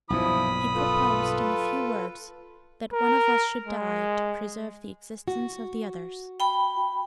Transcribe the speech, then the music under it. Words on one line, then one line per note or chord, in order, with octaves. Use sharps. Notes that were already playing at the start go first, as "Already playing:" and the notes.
He proposed, in a few words, that one of us should die to preserve the existence of the others.
B1 G2 A#2 F3 E4 B5 D#6
F4 A4 B4
A#4
G#3
F#4
G5 B5